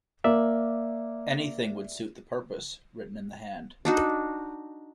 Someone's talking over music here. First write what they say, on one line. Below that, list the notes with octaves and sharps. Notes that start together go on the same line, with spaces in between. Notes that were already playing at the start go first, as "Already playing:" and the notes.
Anything would suit the purpose, written in the hand.
A#3 D5 E5
D4 D#4 F#4